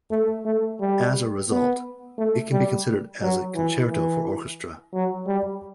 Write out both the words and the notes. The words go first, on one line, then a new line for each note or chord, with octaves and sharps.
As a result, it can be considered as a concerto for orchestra.
A3
A3
G3
B3
A3
G3
F#3
E3
E3
F#3
G3